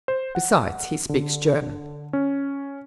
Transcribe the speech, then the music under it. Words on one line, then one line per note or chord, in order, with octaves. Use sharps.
Besides, he speaks German.
C5
F#5
D3
C#4